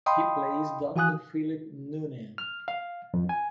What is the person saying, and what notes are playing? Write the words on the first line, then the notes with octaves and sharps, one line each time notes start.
He plays Doctor Philip Noonan.
D#5 F5 G5 B5 C6 D#6
E3 F#4 F5 G#5 D#6 F#6
F6
F5
F2
G#5